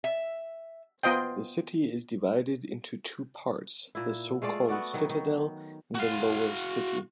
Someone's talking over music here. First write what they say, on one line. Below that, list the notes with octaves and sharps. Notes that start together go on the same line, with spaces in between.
The city is divided into two parts, the so-called Citadel and the Lower City.
E5
B3 F4 C5 D#5 G5
A#2 E4
G#3 A3 F4 D5
A3 B3 F#4 D5
D#3 F#3
D#3
F#4 F5